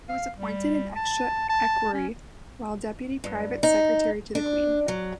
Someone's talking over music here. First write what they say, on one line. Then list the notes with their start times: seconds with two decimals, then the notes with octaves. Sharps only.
He was appointed an Extra Equerry while Deputy Private Secretary to the Queen.
0.09 F5
0.36 G3
0.96 A5
1.50 A5
1.93 C#4
3.24 G2
3.63 D#4
4.35 D4
4.88 F#3